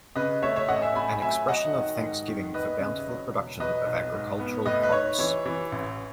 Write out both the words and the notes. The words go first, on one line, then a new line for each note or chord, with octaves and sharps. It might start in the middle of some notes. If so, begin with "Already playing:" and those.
An expression of thanksgiving for bountiful production of agricultural crops.
C#3 B4 D#5
A3 C#5 E5
C#5 E5
A1 D#5 F#5
E5 G#5
A3 G#5 B5
F#3 E5 G#5
F#3 D#5 F#5
D#3
G#2
D#3
E2 B4 D#5
C#3
F#3
E1
F#3 B4 D#5
B1
G#2
B3
A2 B4 D#5
B4
D#4 C#5
E3 C#5
E3
A1